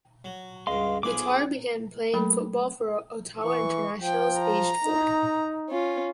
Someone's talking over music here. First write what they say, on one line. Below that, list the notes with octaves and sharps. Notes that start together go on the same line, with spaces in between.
Bitar began playing football for Ottawa Internationals aged four.
F#3
C#2 G2 D#5 F5 C6
B1 F3 G#4 B4 D6
F#3 A3 A#3 A4 A#4 B5
E3 C#6
F3 G5
A#5
D#4
C#4 F4